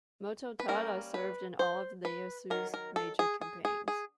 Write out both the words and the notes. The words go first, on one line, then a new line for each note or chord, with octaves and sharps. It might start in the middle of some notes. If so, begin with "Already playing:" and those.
Mototada served in all of Ieyasu's major campaigns.
B4
G3 A#3 C#4 A#4
B4
C5
B4
D#3 F#3 A#4
A#4
A4
G#4
G#4
G#4
G#4